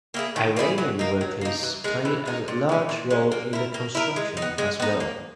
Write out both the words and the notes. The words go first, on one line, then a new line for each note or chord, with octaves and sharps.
Iranian workers played a large role in the construction as well.
A#3 E4 G#4
D#3
A#3 E4 G#4
F#3
A#3 D#4
F#3
A#3 D#4
E3
G#3 D#4 A#4
E3
G#3 D#4 A#4
A#2
G#3 C#4
A#2
G#3 C#4
A#3
E4 A#4
A#3
E4 A#4
G#3
D#4
B3
G#3
B3 D#4
A#3